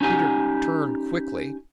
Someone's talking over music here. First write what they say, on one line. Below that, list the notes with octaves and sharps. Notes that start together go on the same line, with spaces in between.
Peter turned quickly.
C#4 D#4 G4 G#5